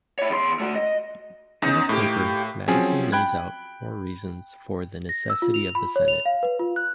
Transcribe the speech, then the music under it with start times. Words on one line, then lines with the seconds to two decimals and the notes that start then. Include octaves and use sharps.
In this paper, Madison lays out more reasons for the necessity of the Senate.
0.19 E4 C#5
0.30 E2 C6
0.59 A3 F#4
0.76 D#5
1.62 E2 C#4 D#4
1.89 A2 A#3 G4
2.68 F3 F#3 C4 C#4 G#4
3.12 G5 B5 F#6 G#6
5.09 A#6
5.30 E6
5.42 F4
5.54 F7
5.75 B5
5.96 C#5
6.08 F7
6.25 F5
6.43 B4
6.59 F4
6.76 F#6